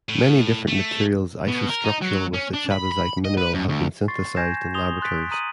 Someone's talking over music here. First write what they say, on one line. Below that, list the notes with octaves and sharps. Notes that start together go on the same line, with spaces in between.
Many different materials isostructural with the chabazite mineral have been synthesized in laboratories.
A2
A3
B2
A#4
D#4
F#3
C#4
D4
B5
B5
D#5
B4
F#2
D2
C6 C#6 A6 C7
G#5 G6 G#6 A#6 C7 E7
C6 D#6 F7 G7
C6 F#6 A6 B6 D7
A#5 D#6 D#7 F#7